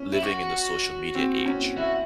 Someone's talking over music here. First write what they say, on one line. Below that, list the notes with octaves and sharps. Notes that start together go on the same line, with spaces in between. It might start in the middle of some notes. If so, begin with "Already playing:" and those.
living in the social media age,
Already playing: C#4
E4
F#4
C4
C#4
E4 F#4